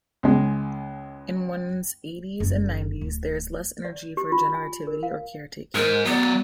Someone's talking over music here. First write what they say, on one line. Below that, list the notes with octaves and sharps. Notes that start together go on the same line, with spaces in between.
In one's eighties and nineties, there is less energy for generativity or caretaking.
C#2 G#3
F#1
D1
D5
G4
F4
G#5
A#4
F5
G#2 D#4 A#4
F#3 B3 D5